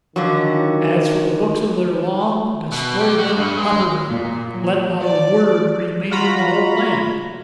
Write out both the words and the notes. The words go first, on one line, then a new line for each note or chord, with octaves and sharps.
'As for the Books of their Law, destroy them utterly; let not a word remain in the whole land.
D3 D#3 F3 F#3
B2
G4
F#4
G2
G#3
A#2
F#3
D5
F4 F#4 A#5 B5